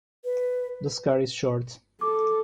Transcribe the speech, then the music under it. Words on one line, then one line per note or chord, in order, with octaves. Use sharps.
The scar is short.
B4
A4 D6